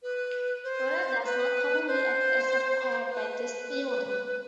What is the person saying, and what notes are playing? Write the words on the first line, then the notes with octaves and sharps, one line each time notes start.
Water does not commonly act as required by this theory.
B4
C5
C5
B4
C5
B4